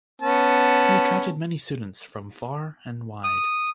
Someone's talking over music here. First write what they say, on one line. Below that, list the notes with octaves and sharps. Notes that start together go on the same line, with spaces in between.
He attracted many students from far and wide.
B3 C#4 A5
D#6